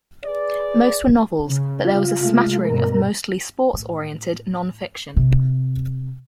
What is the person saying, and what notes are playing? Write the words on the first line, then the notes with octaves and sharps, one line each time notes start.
Most were novels, but there was a smattering of mostly sports-oriented nonfiction.
G#4 B4 D5
C#3
F4
C3 G#3 A3
G2 B2 A#4
A2
C3